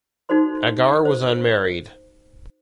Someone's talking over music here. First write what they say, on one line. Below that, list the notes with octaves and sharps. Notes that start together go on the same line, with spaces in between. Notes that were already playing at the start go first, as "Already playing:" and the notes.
Agar was unmarried.
D#4 F#4 A4 C5 C6
C5